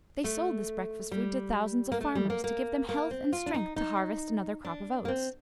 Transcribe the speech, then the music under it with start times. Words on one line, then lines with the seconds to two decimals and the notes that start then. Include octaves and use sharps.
They sold this breakfast food to thousands of farmers, to give them health and strength to harvest another crop of oats.
0.24 A3
1.12 G3
1.92 A#3
2.01 A3
2.15 G3
2.30 A#3
2.44 A#3
2.89 A#3
3.11 C4
3.33 F4
3.46 D4
3.54 D#4
3.76 D#4
4.65 D4
5.05 A#3
5.08 C4